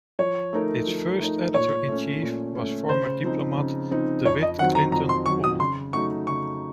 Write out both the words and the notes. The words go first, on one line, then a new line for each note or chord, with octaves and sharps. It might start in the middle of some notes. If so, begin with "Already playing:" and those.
Its first editor-in-chief was former diplomat Dewitt Clinton Poole.
F3 C#5
A3 D#4 A#4
F3
A3 D#4 A#4
A#2 C#5
A3 C#4
A#2
A3 C#4
C#3 C5
F3 C4 D#4
C#3
F3 C4 D#4
F2 C#5
D#5
D#3 F#3 C4 F#5
A#5
F2 A#5
C6
D#3 F#3 C4 C#6
D#6
C#3 C6
F#3 A3 D#4 C#6
C#3 C#6